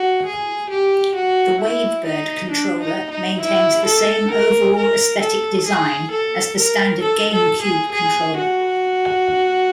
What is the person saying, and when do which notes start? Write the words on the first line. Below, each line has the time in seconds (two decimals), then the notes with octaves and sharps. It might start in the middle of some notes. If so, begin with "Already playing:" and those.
The WaveBird controller maintains the same overall aesthetic design as the standard GameCube controller.
Already playing: F#4
0.26 G#4
0.70 G4
1.16 F#4
1.61 E4
2.06 D#4
2.51 D4
2.81 D#4
3.11 D#4
3.41 E4
3.86 A4
4.32 A#4
4.77 A#4
5.21 A4
5.67 G#4
6.12 A4
6.57 A#4
7.02 A4
7.32 A4
7.62 G#4
7.92 G#4
8.37 F#4